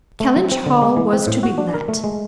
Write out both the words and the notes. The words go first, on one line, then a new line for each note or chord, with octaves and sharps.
Kellynch Hall was to be let.
A3
F#3
C4
D3
G#3
E3
C4
A2
F#4
D4
A#4
A3
G#3